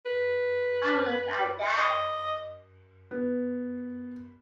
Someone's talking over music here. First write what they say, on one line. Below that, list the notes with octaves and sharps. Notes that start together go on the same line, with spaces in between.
Have a look at that.
B4
D#5
B3